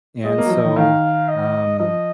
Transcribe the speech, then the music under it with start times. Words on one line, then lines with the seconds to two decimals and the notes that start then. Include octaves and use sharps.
and so, um
0.24 G#3 D#5
0.38 A#3
0.45 F#3
0.50 F3
0.64 D#3
0.76 D#3 F5
1.28 D#5
1.79 F3 D#5